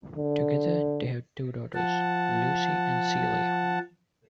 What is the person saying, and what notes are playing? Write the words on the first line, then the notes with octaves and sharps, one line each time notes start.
Together they have two daughters, Lucy and Celia.
D3
F3 F#5 A5